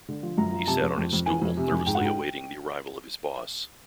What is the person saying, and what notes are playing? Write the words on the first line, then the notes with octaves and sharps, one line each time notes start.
He sat on his stool nervously awaiting the arrival of his boss.
D3
F3
F#2 A#5
F3
C3 A5
F2
F2
F2
E3 G#5
F2
C3
F2
G#2 G5
F#5
G#2 G5